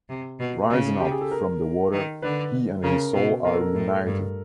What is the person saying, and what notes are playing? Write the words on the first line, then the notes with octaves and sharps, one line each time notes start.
Rising up from the water, he and his Soul are reunited.
C3
B2
C#3
G4
G#4
A4
A#4
D#3
D3 B4
C#3 A#4
B2
B2 A#4
A4
A#4
A2
G2